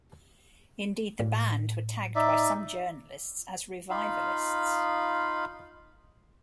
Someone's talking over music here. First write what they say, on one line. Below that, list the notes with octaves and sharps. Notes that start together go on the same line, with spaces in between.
Indeed, the band were tagged by some journalists as "revivalists".
A2
D#4 D5 E5
D#4 F4 F5 B5